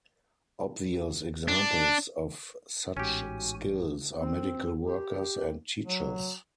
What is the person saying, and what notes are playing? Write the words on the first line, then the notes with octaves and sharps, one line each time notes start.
Obvious examples of such skills are medical workers and teachers.
D4
A1 G#2 C#4 F#4 G4 G#5
C4
G4
F#3